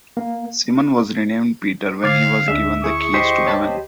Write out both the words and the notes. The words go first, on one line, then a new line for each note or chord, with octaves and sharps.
Simon was renamed Peter when he was given the Keys to Heaven.
A#3
D3 F5 G#6 A6
D2 G#3 D4 E5
E4 G#4 C#6 D#6
G4 C5 D#5
C#5 A5 B5